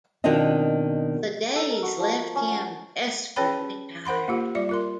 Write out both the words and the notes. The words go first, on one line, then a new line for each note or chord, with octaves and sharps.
The days left him desperately tired.
B2 D#3 C4 D4 F4 D#5
A4
A#4
F#4
F3
C#4
F#5
C#4 G#4 B4 C#5 G5 B5
A#4 C5 F#5 B5 C6
A#3 F4 G4
G3 F4 D5 E5
F4 A#4 C6